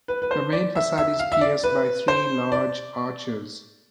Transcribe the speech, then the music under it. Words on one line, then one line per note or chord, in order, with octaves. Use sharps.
The main facade is pierced by three large arches.
B4
B4
C5
D5
E5
E5
F5
E5
D5
B4
C5
D5